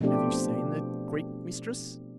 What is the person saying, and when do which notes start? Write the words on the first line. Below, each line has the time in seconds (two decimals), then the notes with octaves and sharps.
"Have you seen the Greek mistress?"
0.01 B2 F3 A3 C4 D4 G4